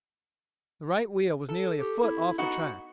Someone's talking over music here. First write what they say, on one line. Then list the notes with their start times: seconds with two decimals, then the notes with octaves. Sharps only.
The right wheel was nearly a foot off the track.
1.49 A4
1.80 G4
2.03 E4
2.38 B3 D#4 F#4 F#5